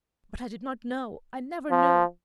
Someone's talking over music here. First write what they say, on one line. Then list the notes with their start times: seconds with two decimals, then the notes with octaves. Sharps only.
But I did not know; I never knew!
1.71 F3